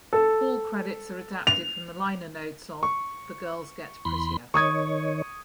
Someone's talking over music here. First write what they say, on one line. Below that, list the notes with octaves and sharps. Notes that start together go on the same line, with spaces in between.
All credits are adapted from the liner notes of "The Girls Get Prettier".
A4
F7
C#6
E2 B5 C6
D#3 C#5 C#6 D#6 G#6